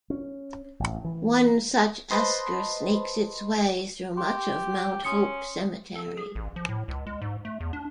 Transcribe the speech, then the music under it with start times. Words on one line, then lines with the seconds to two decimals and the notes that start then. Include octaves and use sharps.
One such esker snakes its way through much of Mount Hope Cemetery.
0.10 C#4
0.80 A1
1.05 E3
2.11 B4 C5 D#5 A5 B5 C6
4.17 G4 C6
5.05 C#4 C6 D#6 C#7
5.95 A4
6.17 G#4
6.35 A1
6.56 F3
6.69 A2
6.88 C#2
7.07 G#3
7.22 G#2
7.45 A3
7.60 E2
7.73 D4